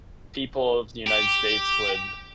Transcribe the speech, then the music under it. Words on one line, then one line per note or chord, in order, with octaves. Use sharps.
people of the United States would
G4